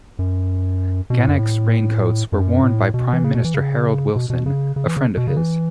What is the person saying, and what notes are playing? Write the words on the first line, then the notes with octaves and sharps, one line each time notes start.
Gannex raincoats were worn by Prime Minister Harold Wilson, a friend of his.
F#2
B2
A2
F#2
A2
F#2
A2
B2
E3
C#3
B2
E3
C#3
B2
B2
C#3
C#3
E3
C#3
B2
C#3
E3